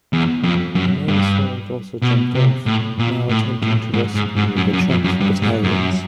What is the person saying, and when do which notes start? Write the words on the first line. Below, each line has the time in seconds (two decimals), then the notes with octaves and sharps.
The main assault also jumped off, now attempting to rescue the trapped battalions.
0.13 E2
0.43 F2
0.75 F#2
1.08 G2
2.02 B2
2.34 C3
2.66 A2
2.99 A#2
3.29 A2
3.62 A2
3.93 G#2
4.15 G#2
4.36 G#2
4.56 F#2
4.73 F#2
4.89 F2
5.04 F#2
5.20 G2
5.42 G#2
5.63 F#2